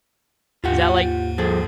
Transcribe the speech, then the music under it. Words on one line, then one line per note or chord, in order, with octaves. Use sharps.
Is that like
D#2 G#2 F4 G4 F#5
F3 G#4 A4